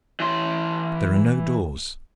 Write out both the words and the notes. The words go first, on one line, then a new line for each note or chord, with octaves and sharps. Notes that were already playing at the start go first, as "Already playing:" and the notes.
There are no doors.
E3 C6